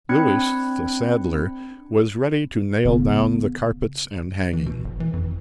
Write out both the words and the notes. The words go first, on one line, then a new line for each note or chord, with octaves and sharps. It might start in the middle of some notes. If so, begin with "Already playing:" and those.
Lewis the saddler was ready to nail down the carpets and hanging.
C4 D4 B5 F#6 G#6 C#7
C#3 B3
E3
B2
G1
E3
F2